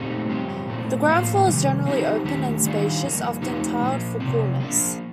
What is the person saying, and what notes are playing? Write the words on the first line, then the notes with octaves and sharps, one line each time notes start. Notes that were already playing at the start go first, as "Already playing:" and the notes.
The ground floor is generally open and spacious, often tiled for coolness.
Already playing: A#2 A3 C4 D#4 G4
G2 F3 C4 G4
A#2 A3 C4
A2 F3 A#3 F4
C3 D#3 G3
F3 C4 D#4 G4
D#3 A3 D4 G4
D#3 G3 D4 F4
G2 F3 A#3
F3 A3 D#4 G4
A#2 F3 A#3 F4
C3 F3 C4
F3 A#3 D4